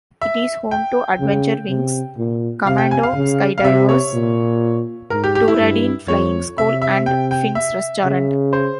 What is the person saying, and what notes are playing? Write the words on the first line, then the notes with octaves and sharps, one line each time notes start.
It is home to Adventure Wings, Commando Skydivers, Tooradin Flying School and Fins Restaurant.
E5
G5
C#3
C3
A#2
C3 F5
G5
G#5
F5
C#3
F5
C3 E5
C#5
A#2
G#2 A#4
G4
G4
E4
G2
F2 C#5
C3 E5
E5
G5
G5
E5
C#3
C5